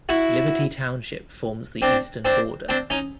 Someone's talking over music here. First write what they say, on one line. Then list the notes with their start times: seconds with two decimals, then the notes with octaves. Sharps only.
Liberty Township forms the eastern border.
0.09 E4 F#4
1.82 C4 D4
2.25 C4 D4
2.69 C4 D4
2.90 C#4 D#4